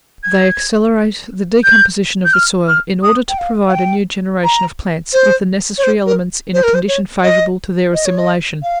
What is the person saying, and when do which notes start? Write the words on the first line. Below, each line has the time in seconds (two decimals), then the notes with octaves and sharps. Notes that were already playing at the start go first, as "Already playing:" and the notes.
They accelerate the decomposition of the soil, in order to provide a new generation of plants with the necessary elements in a condition favourable to their assimilation.
0.23 G#6
1.64 G6
2.25 G6
2.33 F6
2.68 F6
3.03 D#6
3.29 G5
3.38 F5
3.68 F5
3.73 G5
4.44 A#5
5.13 C5
5.78 C#5
5.83 C5
6.06 A#4
6.54 C5
6.63 A#4
6.74 C5
6.88 C#5
7.23 D#5
7.93 D#5
8.06 C#5
8.18 D#5
8.62 F5